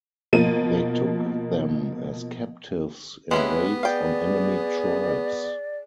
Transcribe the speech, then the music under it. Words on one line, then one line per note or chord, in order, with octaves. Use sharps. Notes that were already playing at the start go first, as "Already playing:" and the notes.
They took them as captives in raids on enemy tribes.
B2 F3 A#3 D#7
G#3 B3 C#4 E4 G4 B4
G#4 D5 F5 G5